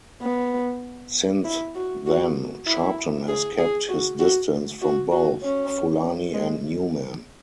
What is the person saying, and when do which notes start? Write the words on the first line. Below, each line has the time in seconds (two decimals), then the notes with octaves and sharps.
Since then, Sharpton has kept his distance from both Fulani and Newman.
0.22 B3
1.45 E4
1.75 F#4
2.06 F#4
2.67 E4
3.28 G#4
3.59 G#4
3.89 F#4
4.19 F#4
4.82 F#4
5.11 F#4
5.43 C#4
6.34 G#3